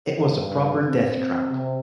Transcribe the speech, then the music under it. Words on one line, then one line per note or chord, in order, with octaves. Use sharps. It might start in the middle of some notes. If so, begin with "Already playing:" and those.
It was a proper death trap.
G2
C4
C3